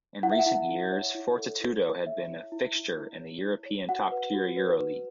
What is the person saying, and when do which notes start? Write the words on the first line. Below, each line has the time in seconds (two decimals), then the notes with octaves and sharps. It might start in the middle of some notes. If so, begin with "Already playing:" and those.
In recent years, Fortitudo had been a fixture in the European top-tier Euroleague.
0.23 E4 F#5
0.32 E5
0.39 F#5
0.46 E4
0.69 E4
0.92 C#5
1.15 E4
1.37 A4
1.61 E4
1.83 C#5
2.06 C#5 E5
2.29 E4
2.52 E4
2.75 E4
2.98 E4
3.21 C#5
3.43 E4
3.66 C#5
3.89 F#4 F#5
4.12 B4
4.34 F#4
4.57 B4
4.80 B4